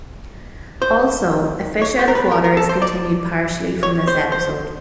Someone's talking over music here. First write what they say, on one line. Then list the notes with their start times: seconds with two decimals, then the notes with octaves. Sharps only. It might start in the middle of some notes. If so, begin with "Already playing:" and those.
Also "A Fish out of Water" is continued partially from this episode.
0.82 C5
1.82 C#5
1.99 C5
2.08 A#4
2.15 B4
2.32 A#4
2.44 A#4
2.57 A4
2.69 C5
2.82 D5
3.83 C#5
4.08 C5
4.32 C5